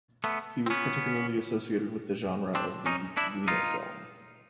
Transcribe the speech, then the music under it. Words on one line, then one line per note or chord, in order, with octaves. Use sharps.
He was particularly associated with the genre of the "Wiener Film".
A3 B3
C4
B3 C#4
C4 D4
C#4 D#4
D4 E4
D#4 F4